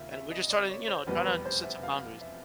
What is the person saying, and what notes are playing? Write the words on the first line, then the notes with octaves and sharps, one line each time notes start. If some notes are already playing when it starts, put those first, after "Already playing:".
And we're just starting, you know, trying to set some boundaries.
Already playing: D#2 C#3 F3 E5 F5
E5
D#5
D5
C#5
C5
F1 E2 B2 G3 B3 B4
B4
C5
E5
F5
E5